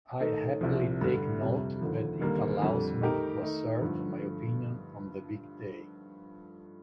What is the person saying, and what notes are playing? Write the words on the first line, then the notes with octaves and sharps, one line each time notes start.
I happily take note that it allows me to assert my opinion on the big day.
D#3 A3 D#4 A4
C2 C3 F3
G2 D3 G3 D4
F2 C3 G3
D#2 D3 F3
D#2 D3 G3 A#3
F2 D3 G3
D#3 A3 D#4 G4 A#4
D#3 A3 D#4 A#4
G2 D3 F3 A3